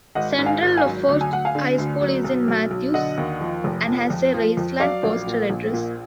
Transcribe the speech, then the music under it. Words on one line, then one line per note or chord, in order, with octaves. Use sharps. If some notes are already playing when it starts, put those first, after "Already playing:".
Central Lafourche High School is in Mathews, and has a Raceland postal address.
G#1 D#5 F#5
G#2
F5 G#5
G#1
F5 G#5
F#3
D2
G#5
D2 F#5
F5 G#5
D3
D2
F#3
B1
B1
B1
D3 D#5 F#5
D#2
F3
F1
F3
F2
F3
F2
F#3 D5 F5
A#1
A#2
A#1
A#2